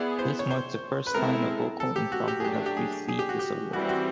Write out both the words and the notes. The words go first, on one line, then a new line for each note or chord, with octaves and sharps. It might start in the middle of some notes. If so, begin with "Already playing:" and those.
This marks the first time a vocal ensemble has received this award.
Already playing: B3 E4 G#4 D5
C5
C#5
C5
B4
G#3 C4 E4 A4 A#4
A4
G4
F#4
G4
G#4
F#3 A3 D4 G4
G4
G#4
G#4
G4
F#4
G4
E3 G3 C4 F#4
F#4